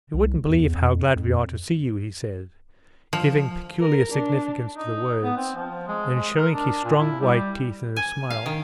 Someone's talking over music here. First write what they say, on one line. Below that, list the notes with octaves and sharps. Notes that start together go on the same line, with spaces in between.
"You wouldn't believe how glad we are to see you," he said, giving peculiar significance to the words, and showing his strong white teeth in a smile.
C2
E2
F2
F2
F3
A#4
D4
D#4
B3
C4
F3
G#3
G#3
A#4
D4
A#2
E4
G3
G#5
F5
D#3